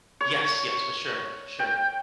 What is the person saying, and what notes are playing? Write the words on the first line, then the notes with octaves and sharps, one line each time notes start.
Yes, yes, for sure, for sure.
C#5
G5